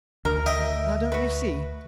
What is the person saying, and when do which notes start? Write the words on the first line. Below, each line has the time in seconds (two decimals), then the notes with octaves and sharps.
'Now, don't you see!
0.25 D2 A#4
0.46 D#5 E5 G5
1.12 F#4 B4